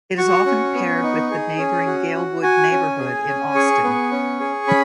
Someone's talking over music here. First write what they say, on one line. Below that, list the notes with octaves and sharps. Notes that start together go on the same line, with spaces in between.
It is often paired with the neighboring Galewood neighborhood in Austin.
F#4 C#6
C#4
B3
D#4
G#4
C#4
F#4
F#4
F#4 G#5
C#4
G#4
C#4
G#4 C#6
B3
C#4
G#4
C#4 B5